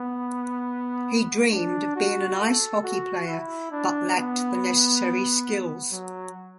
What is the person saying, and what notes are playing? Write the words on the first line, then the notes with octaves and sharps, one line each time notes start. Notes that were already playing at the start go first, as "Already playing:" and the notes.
He dreamed of being an ice hockey player but lacked the necessary skills.
Already playing: B3
D4
F#4
A4
F#4
E4
D4
B3
F#3